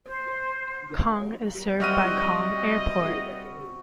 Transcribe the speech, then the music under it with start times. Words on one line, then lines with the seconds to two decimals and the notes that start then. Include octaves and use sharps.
Kang is served by Kang Airport.
0.06 C5
1.80 G3 C4 F#4 D#5 E5 F6 D#7